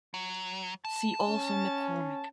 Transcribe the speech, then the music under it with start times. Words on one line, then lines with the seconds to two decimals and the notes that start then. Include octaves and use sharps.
See also McCormick.
0.14 F#3
0.85 A5
1.29 C#4